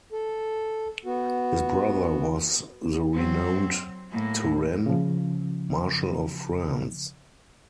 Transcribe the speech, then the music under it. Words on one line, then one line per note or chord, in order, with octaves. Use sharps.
His brother was the renowned Turenne, Marshal of France.
A4
B3 F#4
F#3 C4
A2 A#3
C#3 F3